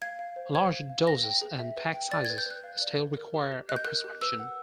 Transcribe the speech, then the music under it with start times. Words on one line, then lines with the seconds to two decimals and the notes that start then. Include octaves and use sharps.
Larger doses and pack sizes still require a prescription.
0.02 F5 G#6
0.19 F5
0.36 C5
0.54 C5 G#6
0.72 F5
0.90 F5
1.07 B4 A#6
1.24 G5
1.42 G#4
1.59 E5
1.77 B4
1.94 G5
2.11 D5 A6
2.25 G#6
2.30 B4
2.38 G6
2.46 B4 F#6
2.64 F5
2.82 D5
2.99 B4
3.17 A#4
3.34 G4
3.52 G4
3.69 D#5 F#6
3.76 G6
3.85 A#4 F#6
4.04 G4
4.21 B4 E6
4.39 F#5